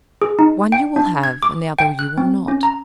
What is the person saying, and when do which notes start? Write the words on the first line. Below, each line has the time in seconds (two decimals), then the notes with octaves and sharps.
One you will have, and the other you will not.
0.22 G#4
0.39 D#4
0.72 G5
0.96 D4
1.24 G#6
1.43 D6
1.79 G5
1.99 F#6
2.18 C4
2.48 C#4
2.63 A#5